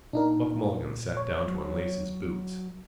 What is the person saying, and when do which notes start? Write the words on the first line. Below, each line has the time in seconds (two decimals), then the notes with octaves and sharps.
Buck Mulligan sat down to unlace his boots.
0.13 A#2 D4 D#4 A#4
1.17 C#5
1.48 F#3